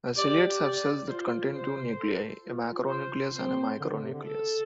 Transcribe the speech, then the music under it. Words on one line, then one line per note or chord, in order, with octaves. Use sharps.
Ciliates have cells that contain two nuclei: a macronucleus and a micronucleus.
G4 D5
D5
F4 C5
C5
A4
F4
C5
C4 C5
D3
D3
C3
D3
A4